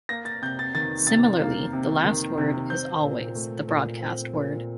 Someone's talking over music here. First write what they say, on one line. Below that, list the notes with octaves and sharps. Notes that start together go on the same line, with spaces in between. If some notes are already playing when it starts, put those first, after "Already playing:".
Similarly, the last word is always the broadcast word.
A#3 A#6
A6
C3 G6
A6
D#3 A6
C3 A6
A#3
C3
D#3
C3
C4 G6
A#2
A3
A#2
C4
A#2